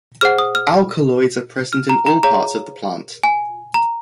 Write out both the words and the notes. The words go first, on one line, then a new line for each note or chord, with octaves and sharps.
Alkaloids are present in all parts of the plant.
G#4 C5 F#5 F6
D#6
F6
F6
A#5
A#5
G#4 C#5 F5 A#5
G#5
A#5